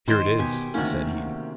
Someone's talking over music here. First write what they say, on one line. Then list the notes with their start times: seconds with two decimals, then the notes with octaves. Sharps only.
"Here it is," said he.
0.07 D#3 C5 G5
0.39 B2 G4 G#5
0.74 D2 C3 D#3 A#3 C#4